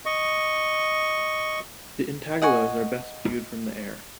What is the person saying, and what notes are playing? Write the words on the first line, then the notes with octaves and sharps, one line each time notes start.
The intaglios are best viewed from the air.
D#5 C#6
D#5 F#5 G#5 C#6